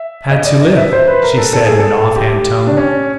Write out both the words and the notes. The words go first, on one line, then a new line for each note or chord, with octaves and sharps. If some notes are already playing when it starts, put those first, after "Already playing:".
"I had to live," she said in an off-hand tone.
Already playing: E5
D#5
D5
D#5
E5
C5
B4
A#4
A4
A4
G#4
A4
G4
D4
C#4